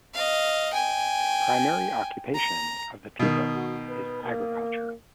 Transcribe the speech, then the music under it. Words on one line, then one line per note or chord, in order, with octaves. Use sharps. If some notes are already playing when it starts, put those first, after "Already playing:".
Primary occupation of the people is agriculture.
D#5 F5
G5 G#5
A#5
B2 D#3
F#4
B4
A#3